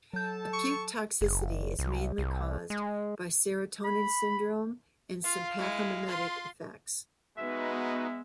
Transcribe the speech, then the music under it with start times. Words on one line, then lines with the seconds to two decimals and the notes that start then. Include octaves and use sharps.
Acute toxicity is mainly caused by serotonin syndrome and sympathomimetic effects.
0.13 F#3 A4 A5 G6
0.53 C#6
1.21 F#1
1.79 C2
2.18 C2
2.70 G#3
3.84 B5
5.24 F4 F5
5.58 G#3 E4
6.06 F4 C6
7.37 G#3 B3 D#4 F#4 B4 E5